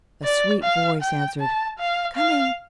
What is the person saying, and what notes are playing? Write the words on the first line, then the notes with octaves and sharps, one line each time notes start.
A sweet voice answered, "Coming!"
D5
F5
G5
A5
F5
F5